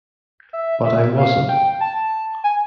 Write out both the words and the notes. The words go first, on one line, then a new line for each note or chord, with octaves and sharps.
But I wasn't.
E5
E5
F5
G5
A5
G#5